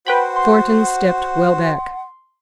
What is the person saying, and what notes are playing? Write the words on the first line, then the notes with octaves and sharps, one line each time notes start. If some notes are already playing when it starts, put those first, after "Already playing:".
Thornton stepped well back.
F#4 B4 C5 F#5 G5 B5
C6